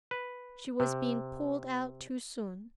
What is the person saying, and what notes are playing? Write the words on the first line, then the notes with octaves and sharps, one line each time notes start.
She was being pulled out too soon.
B4
C3